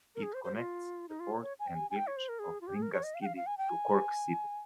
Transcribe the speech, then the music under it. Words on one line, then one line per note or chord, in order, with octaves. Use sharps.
It connects the port and village of Ringaskiddy to Cork city.
A#4
G#4
C5
C5
F4
D#4
F4
C#5
G#5
G5
G#5
G#5
G5
C#5
C5
A#4
G#4
F4
G4
G#4
A#4
C#5
D#5
F5
G5
F5
F5
G#5
G5
G#5